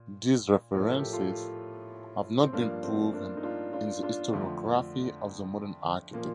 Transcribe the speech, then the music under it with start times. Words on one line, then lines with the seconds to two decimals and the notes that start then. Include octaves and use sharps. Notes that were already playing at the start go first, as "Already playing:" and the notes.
These references have not been proven in the historiography of the modern architect.
Already playing: A#2
0.74 A2 F3 A#4
0.87 A4
0.99 G4
1.13 F4 A4
2.43 C4
2.53 G2 F3 A#3 D4
2.83 A3 C4
3.13 A#3 D4
3.37 D#4
3.43 D4 F4
3.73 D4 F4
4.03 D4 F4
4.33 F2 D3 F3 A3
6.13 A#2 F3 A#3